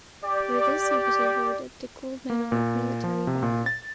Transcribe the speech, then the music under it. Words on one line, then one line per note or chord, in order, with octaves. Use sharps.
For this he was awarded the Gold Medal of Military Valor.
G4 D5
A#3
A#2
F3
C3
A#2
A6